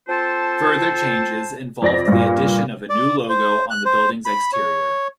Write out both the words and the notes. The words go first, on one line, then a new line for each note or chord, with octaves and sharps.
Further changes involved the addition of a new logo on the building's exterior.
C4 F4 A4 C5 A5
F2 D5 A#6
G2 A#2
D5
C5
F#6
C5
B5
C#5